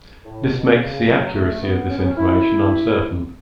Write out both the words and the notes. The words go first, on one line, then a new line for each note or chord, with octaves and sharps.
This makes the accuracy of this information uncertain.
A2
B2
C#3
F#3
F#3
A3
B3
C#4
B3
C#4
E4